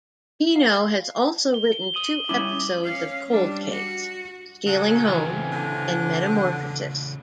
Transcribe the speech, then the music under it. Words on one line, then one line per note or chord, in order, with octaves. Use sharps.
Pino has also written two episodes of "Cold Case": "Stealing Home" and "Metamorphosis".
F5
G7
D#6 D#7 F#7
G3 C#4 E4 D6 D#7
C#4 F5
G3 D4
F#4
C#3 F#3 A3 A4 F5 G#5
E3 C4
D3